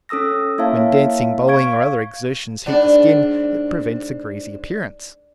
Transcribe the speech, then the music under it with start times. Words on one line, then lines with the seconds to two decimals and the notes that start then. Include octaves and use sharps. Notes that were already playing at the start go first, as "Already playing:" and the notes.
When dancing, bowling or other exertions heat the skin, it prevents a greasy appearance.
0.09 C#4 A4 D#6 E6 A#6
0.58 A#3 E4 C#5 E5 F5 A5
1.48 F5 C#6 G#6 D7
2.66 G#2 D4